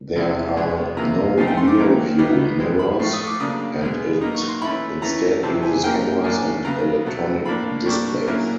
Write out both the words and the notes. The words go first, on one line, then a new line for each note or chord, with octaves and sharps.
There are no rear view mirrors and it instead uses cameras and electronic displays.
C3 F3 G#3 C4 E4
B2 G#3 B3
C3 F3 A#3 A#5
A2 F3 A3 C4 D#4 G#5
G5
C6
D6
D#3 F#3 A#3 C#4 E4
A2 E3 G3 B3 D#4
B2 G#3 C4
B5
A2 F3 A3 C#6
D#6
D6
C#3 F#3 A#3 D4 D#6
B2 G#3 B3
F#3 A#3 D#4
C#6
C6
E3 A3 C#4 E4 B5
E3 A3 C#4 A#5
C3 E3 G3 C4 A5
G#5
F#3 A#3 C#4 G5
A2 F#3 A#3 D4 G#5
C#3 F#3 B3 A#5
B2 F#3 A3
A2 F3 A#3 D4 B5
A#2 G3 A#3 D4 C#6
A#2 F#3 A#3 C#4 E4